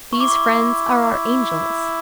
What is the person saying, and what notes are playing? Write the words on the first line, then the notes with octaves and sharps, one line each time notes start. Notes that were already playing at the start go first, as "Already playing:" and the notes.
These friends are our angels.
E4 C#6
D6
C#6